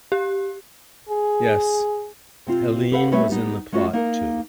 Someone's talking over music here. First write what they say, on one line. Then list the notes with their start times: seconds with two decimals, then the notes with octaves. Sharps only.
Yes, Helene was in the plot too.
0.12 G4
1.09 G#4
2.47 C3 C4 F4
2.92 G4 A4 B4 F5 F#5
3.11 G3 A3 C4 B4 C#5 E5
3.29 G3 B3 D#4
3.72 G#3 A3 C#4 F4 F#4
3.93 A#3 D#4 A#4